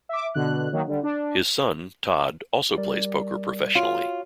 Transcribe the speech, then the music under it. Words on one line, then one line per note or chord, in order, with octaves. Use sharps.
His son, Todd, also plays poker professionally.
E5 D6
B2 D3 F#6
D#3 F#3 A#3
D3 G3
D4
G3 A#4 D5
F4 F#4 C#5